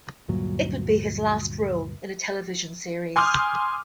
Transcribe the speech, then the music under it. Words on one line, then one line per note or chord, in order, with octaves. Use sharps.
It would be his last role in a television series.
D2 G2 A#2 F#3
G#5 C6 D6 D#6 F6 G6